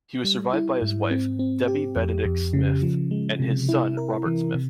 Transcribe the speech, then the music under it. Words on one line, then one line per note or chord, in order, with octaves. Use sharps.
He was survived by his wife, Debbie Benedict Smith and his son Robert Smith.
G3
E4
G#2
C4
C4
G4
F2
F2
C#3
F3
G#3
C3
E4
A#4
E3
C3